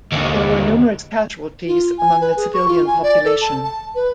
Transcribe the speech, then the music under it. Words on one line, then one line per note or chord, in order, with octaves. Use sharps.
There were numerous casualties among the civilian population.
D#2 D3
F4
G#5
B4
G#4
C#6
F4
G#5
D5
A4
A5
A5
B4